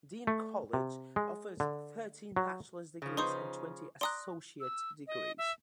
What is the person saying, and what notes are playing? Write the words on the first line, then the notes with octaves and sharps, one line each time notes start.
Dean College offers thirteen bachelor's degrees and twenty associate degrees.
A3
C3
G#3
D3
F#3
C#3 F3
D#4 B4 C5 C6 C#6 D#6
D5 A#5 C6 D#6 F#6
E6
D#5
E5